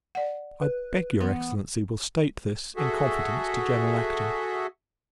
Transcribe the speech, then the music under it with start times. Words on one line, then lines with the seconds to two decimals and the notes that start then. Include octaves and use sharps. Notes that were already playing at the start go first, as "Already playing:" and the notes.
I beg your Excellency will state this, in confidence, to General Acton.
0.15 D5 F#5
0.61 B4
1.20 E3 B3
2.77 F#4 G#4 A4 E5